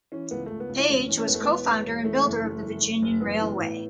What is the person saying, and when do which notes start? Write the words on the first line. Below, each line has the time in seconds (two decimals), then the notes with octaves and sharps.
Page was co-founder and builder of the Virginian Railway.
0.12 E3 C#4
0.31 C#2 B3
0.46 C#2 A3
0.60 B3
0.69 C#2
0.79 E4
0.89 E1 C#4
1.09 E2
1.18 C#4
1.27 E1 B3
1.34 A3
1.43 E3 B3
1.67 E1
1.86 E1
2.05 E3 A3
2.24 F#1
2.44 E3
2.63 F#1
2.82 F#1
3.02 F#1
3.21 A1 B3
3.41 E3
3.59 A2